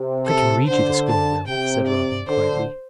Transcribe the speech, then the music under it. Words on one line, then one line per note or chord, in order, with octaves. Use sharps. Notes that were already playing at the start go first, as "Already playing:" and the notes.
"I can read you the scroll, Will," said Robin, quietly.
Already playing: C3
A4
D3 C5
A5
C3 G5
D5
D3 C5